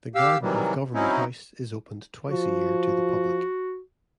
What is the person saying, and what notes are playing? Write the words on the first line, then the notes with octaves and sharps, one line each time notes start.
The garden of Government House is opened twice a year to the public.
G4 F5 E6
C3 D#3 E3 F#3 G3
F#3 C4 C#4 D#4 E4
F3 F#4